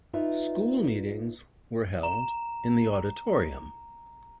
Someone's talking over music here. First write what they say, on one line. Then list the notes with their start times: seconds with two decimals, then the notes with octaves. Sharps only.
School meetings were held in the auditorium.
0.13 D#4 F4 B4 D5 E5
2.03 A#5 E7